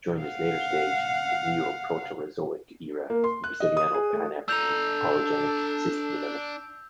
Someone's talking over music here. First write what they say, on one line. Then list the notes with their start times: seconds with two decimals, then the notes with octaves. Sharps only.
During this later stage, the Neoproterozoic era, a Brasiliano-Pan African orogenic system developed.
0.21 F5 F#5
3.10 A#3
3.24 C6
3.44 F#6
3.60 D#5
3.77 D#6
3.94 G#4
4.13 A3
4.48 D4 A4 A#5 E6 G6 F7